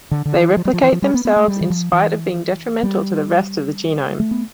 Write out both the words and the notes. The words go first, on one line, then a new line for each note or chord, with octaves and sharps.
They replicate themselves in spite of being detrimental to the rest of the genome.
D3
D3
E3
F3
G3
F3
E3
F3
G3
B3
B3
A3
G3
E3
F3
E3
G3
A3
B3